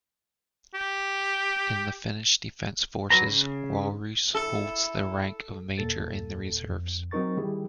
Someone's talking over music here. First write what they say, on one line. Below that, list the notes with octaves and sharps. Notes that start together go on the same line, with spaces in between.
In the Finnish Defence Forces, Wahlroos holds the rank of Major in the reserves.
G4
F#3 B4 A#5
C#3
E4 A4
E2 A#2 A4 A6
F2
F#3 C4 D#4 A#4 C#6 A6
D#3 G3 E4 G4 G#4